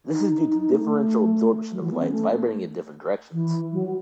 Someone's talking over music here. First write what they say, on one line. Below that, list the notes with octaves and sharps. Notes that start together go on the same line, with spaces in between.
This is due to differential absorption of light vibrating in different directions.
D#4
D#4
D#4
D#4
A3
A3
F#3
E3
B3
C#4
A3
E3
F#3